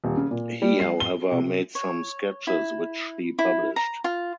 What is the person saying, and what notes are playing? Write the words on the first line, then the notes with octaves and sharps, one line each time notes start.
He however made some sketches which he published.
D#1
C#3
A#2
G3
C7
G7
C3
C#5
E4
E4
A#5
F4